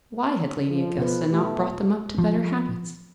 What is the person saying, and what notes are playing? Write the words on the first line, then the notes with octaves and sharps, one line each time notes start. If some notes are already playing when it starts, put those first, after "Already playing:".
Why had Lady Augusta not brought them up to better habits?
F2 F3
B2 B3 B4
A3 G4
F3